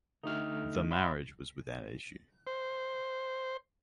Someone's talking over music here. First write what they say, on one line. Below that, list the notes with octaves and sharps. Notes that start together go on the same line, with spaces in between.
The marriage was without issue.
D3 A3 D#4 G4 F6
E5 B5 C6
C5